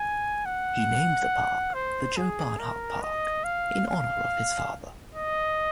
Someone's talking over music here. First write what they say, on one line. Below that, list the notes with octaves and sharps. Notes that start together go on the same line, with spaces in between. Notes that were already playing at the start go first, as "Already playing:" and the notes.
He named the park the Joe Barnhart Park in honor of his father.
Already playing: G#5
F#5
C5
G#4
A#4
D#5
F5
F5
D#5